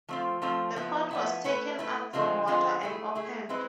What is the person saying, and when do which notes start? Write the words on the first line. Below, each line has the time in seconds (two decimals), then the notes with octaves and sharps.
The pot was taken up from the water and opened.
0.09 F3 A3 C4 F4
0.42 F3 A3 C4 F4
0.76 F3 B3 E4
1.11 F3 B3 E4
1.44 A3 E4 B4
1.79 A3 E4 B4
2.13 D3 F3 G#3 C4 F4
2.47 D3 F3 G#3 C4 F4
2.81 A3 E4 G#4
3.15 A3 E4 G#4
3.49 G#3 C4 E4 B4